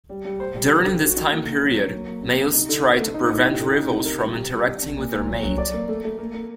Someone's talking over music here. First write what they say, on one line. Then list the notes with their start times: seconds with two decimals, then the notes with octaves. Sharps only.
During this time period, males try to prevent rivals from interacting with their mate.
0.09 G3
0.25 G3
0.40 C5
0.55 G3
0.70 D3
0.86 D3
1.01 F#4
1.16 D#3
1.31 A#3
1.47 A#3
1.61 F#3
1.77 F#3
1.92 A#3
2.08 A#3
2.23 C3
2.38 C3
2.53 D#4
2.69 D3
2.84 C5
2.98 A3
3.14 D#4
3.29 A2
3.44 G4
3.60 D3
3.75 D#4
3.90 C3
4.05 A#4
4.21 G3
4.36 G4
4.51 G3
4.67 D4
4.82 C3
4.97 A#2
5.13 A#2
5.28 F#3
5.43 F#3
5.58 D5
5.73 A#3
5.89 A3
6.04 A3
6.19 A#3
6.34 A#3